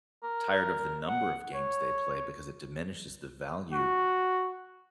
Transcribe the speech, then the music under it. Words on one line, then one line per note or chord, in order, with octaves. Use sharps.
tired of the number of games they play, because it diminishes the value
A#4
F#5
C#5
F#4